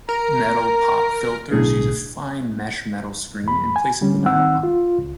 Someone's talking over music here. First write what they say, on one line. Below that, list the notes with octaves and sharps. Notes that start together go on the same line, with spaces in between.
Metal pop filters use a fine mesh metal screen in place of the nylon.
A#4 A#5
B1 A2 D3 G#4
E2 B5
G#5
D3 G3 C#4
D#3 C4 D#4 F#5 E6
F4
C#2